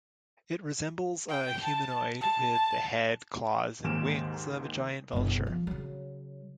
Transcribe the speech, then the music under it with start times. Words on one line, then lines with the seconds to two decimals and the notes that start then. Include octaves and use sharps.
It resembles a humanoid with the head, claws, and wings of a giant vulture.
1.29 G5
1.63 A5
2.21 A5
3.84 D#2 G#2 D#3 A#3 D7 E7
5.13 F#1 B2
5.47 F3
5.67 C#3 F#3